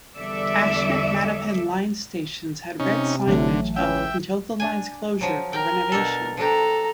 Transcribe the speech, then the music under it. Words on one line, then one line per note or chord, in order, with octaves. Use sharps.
Ashmont-Mattapan Line stations had red signage up until the line's closure for renovation.
E2 D3 G3 A4 D5 E5
C3 C#4 D#4
A1 D3 F#3 A3
C#2 E3 C#4 E5 G5
D4 G#5
F3 F#3
A#4 G5
B2 D4 A4
F3 D4 G4 A4 A#5